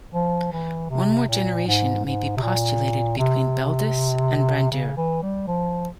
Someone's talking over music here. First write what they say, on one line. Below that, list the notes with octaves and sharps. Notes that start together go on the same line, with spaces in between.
One more generation may be postulated between Beldis and Brandir.
F3
E3
C3
A#2
G#2
G#2
C3
A#2
C3
C#3
E3
G3
F3